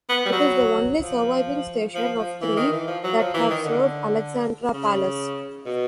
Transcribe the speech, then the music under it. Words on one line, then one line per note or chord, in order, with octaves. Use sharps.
It is the only surviving station of three that have served Alexandra Palace.
B3
G3
F#3
F3
F3
F3
E3
D#3
E3
F3
F#3
F3
E3
D#3
D3
C#3
B2